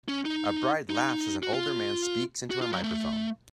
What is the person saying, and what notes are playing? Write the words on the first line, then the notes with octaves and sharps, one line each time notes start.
A bride laughs as an older man speaks into a microphone.
C#4
D#4
D#4
F#4
F4
F#4
F4
F#3
A3